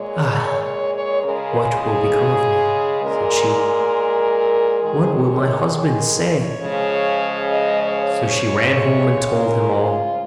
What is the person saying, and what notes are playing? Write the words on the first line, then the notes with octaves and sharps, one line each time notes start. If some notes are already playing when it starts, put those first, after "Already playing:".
'Ah! what will become of me?' said she; 'what will my husband say?' So she ran home and told him all.
Already playing: A#2 G#3 C#5
C#5
C#5
C#5
C#3 G#3 A#4
G#4
G#4
A#2 G#3 A#4
D#3 G#3 G#4
C#5
C#5
G#4
A#4
C#5
C#3 F3 G#3
D#5
C#5
C#5
C#3 G#3
A#4
F4